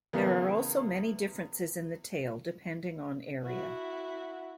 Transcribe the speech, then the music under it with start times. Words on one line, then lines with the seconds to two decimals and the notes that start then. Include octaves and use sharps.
There are also many differences in the tale depending on area.
0.13 E2 C#3 A#3 B3
3.44 E4 F#4